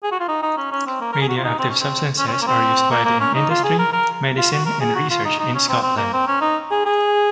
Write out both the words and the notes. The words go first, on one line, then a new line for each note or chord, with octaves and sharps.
Radioactive substances are used widely in industry, medicine and research in Scotland.
G#4
F#4
F4
D#4
D#4
C#4
C#4
C4
A#3
A#4
G#4
F#4
F4
D#4
C4
C#4
C4
C#4
C4
C#4
A#3
C4
A#3
A#3
C#4
D#4
F4
G#4
A#4
A#4
F4
F#4
A#4
G#4
F#4
F4
D#4
D#4
C#4
C4
C4
A#3
C4
C#4
D#4
G#4
G#4